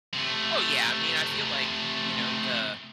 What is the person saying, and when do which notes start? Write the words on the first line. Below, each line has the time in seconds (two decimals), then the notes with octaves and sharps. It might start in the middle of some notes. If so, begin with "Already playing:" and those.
Oh, yeah, I mean, I feel like, you know, the
0.14 C3 A3